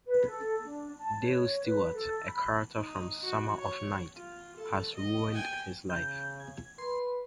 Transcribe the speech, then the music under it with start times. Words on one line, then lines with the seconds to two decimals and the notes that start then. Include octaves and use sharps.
Dale Stewart, a character from "Summer of Night", has ruined his life.
0.06 B4
0.26 A4
0.63 D4
0.97 A5
1.20 C#5
1.63 B4
1.92 A4
2.26 B5
2.77 D#4
3.22 F#4
3.58 C#5
4.16 F4
4.56 A4
4.95 D#5
5.34 G5 G#5
5.90 C#3 G6
6.40 G#6
6.78 B4 C6